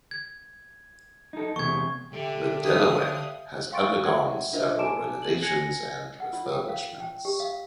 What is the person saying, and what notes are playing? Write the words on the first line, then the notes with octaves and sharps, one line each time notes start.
The "Delaware" has undergone several renovations and refurbishments.
G#6
D#4 A4
E2 C3 C#6 G#6
D3 G4 E5
F5 D#6
F5 G5 C6 C#6 A6 D7
E5 F#5 G5 G#6
D4 F4 A#4 C5 D#5 E5
G#5 A5 D6 D7 E7
F#7
G#5 F#6 G#6 A#6 C7 C#7
F#5
F4
G5
F5
G5
G4
F5